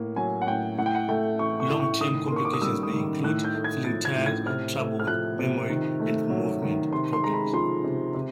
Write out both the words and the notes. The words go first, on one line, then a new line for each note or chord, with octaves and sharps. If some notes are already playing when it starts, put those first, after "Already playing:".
Long term complications may include feeling tired, trouble with memory, and movement problems.
Already playing: A2 A#3
F#3 G#5
F#5
A2 G5
A2 F#5
G5
F#5
A3 G5
E3 C#6
C#6
A2
C#6
D#3 D#6
C6
A#3 C#6
D6
D#6
G3 E6
D#6
D#3
A2 F#6
G6
A3
G#6
F3 A6
G#6
A2
G#6
C3 F6
A3
F6
F3 F#6
C3
D#3
A3
F#3
D#3
C3 C6
C6
G#3 A#5
B5
F3 C6
C3
C3